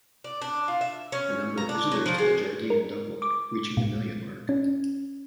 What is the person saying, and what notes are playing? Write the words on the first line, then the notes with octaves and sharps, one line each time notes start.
The number of visitors to the Jardin doubled, reaching the million mark.
D5
D4
F4
E5
C#4
A#5
D4
F#3
F3
G#3
A#4
D6
A#2
C#4